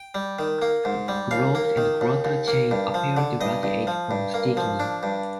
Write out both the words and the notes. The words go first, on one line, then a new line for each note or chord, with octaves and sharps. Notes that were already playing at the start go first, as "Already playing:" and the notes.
Grooves and crater chains appear to radiate from Stickney.
Already playing: G5
G3
D#3
A#3
G#2
G3
D#2 F5
A#3
D#3
D#2
D#2
A#3
G2
F3
D3
G2 D#5
G2
F3
G2
A#3
F3
D4
G2